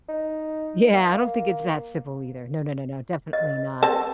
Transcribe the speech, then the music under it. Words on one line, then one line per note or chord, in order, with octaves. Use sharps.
Yeah, I don't think it's that simple either. No, no, no, no, definitely not.
D#4
A#3
D#5
C4 A#4 A5